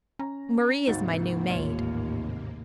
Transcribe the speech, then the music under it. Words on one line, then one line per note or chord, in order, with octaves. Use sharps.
Marie is my new maid.
C#4 A#5
G#1 D2 G#2 C3 A#3 D#4 A6
A1 D#2 F4 C#5